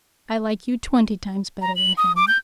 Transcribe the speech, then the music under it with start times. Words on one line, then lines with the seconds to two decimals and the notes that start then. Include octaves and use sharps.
I like you twenty times better than Hamlet.'
1.62 A#5
1.76 F#7
1.97 D#6
2.16 D6
2.28 G6